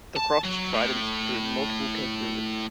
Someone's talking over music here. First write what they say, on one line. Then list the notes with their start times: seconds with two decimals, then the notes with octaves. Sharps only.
The crossed tridents prove multiple capabilities.
0.16 A5
0.44 F#3
0.74 A2